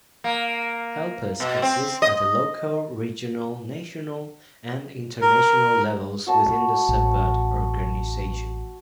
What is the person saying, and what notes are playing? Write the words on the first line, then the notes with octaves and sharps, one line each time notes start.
Helpers exist at the local, regional, national, and international levels within the Subud organization.
A#3
B2
C4
D#5
A#4
F#4 A5
A1